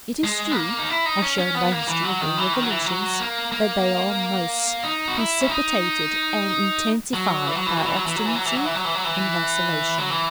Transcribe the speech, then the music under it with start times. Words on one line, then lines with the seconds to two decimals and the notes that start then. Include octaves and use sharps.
It is true, as shown by the history of all revolutions, that they are most precipitated and intensified by obstinacy and vacillation.
0.24 G#3
0.52 B3
0.56 A#3
0.79 D#4
0.90 E4
1.06 D#4
1.22 C#4
1.38 C#4
1.55 B3
1.72 A#3
1.87 E3
2.04 F#3
2.21 D#3
2.38 E3
2.53 D#3
2.62 F#3
2.70 E3
2.86 F#3
3.20 A#3
3.52 A#3
4.84 D#4
5.08 F#4
5.17 E4
5.41 C#4
5.50 D#4
7.14 F#3
7.47 E3
7.57 F#3
7.66 E3
7.77 F#3
7.86 E3
7.96 F#3
8.06 E3
8.16 F#3
8.26 E3
8.35 F#3
8.46 E3
8.55 F#3
8.65 E3
8.75 F#3
8.85 E3
8.95 F#3
9.04 E3
9.98 F#3
10.10 E3